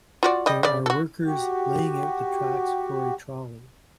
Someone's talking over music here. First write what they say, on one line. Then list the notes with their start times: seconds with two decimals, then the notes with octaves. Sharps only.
There are workers laying out the tracks for a trolley.
0.23 F4 F#4 D5
0.46 G3 D#5
0.63 C#3 D5
0.86 F#4 A4
1.25 F#4 G4